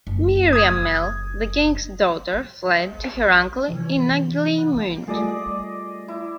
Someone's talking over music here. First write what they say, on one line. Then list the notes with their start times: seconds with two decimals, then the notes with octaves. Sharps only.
Miriamele, the king's daughter, fled to her uncle in Naglimund.
0.07 F#1
0.53 D#6 G#6
3.68 C3 E3 F3
5.08 G3 A3 F4 G#4 D5 D#5
6.08 E4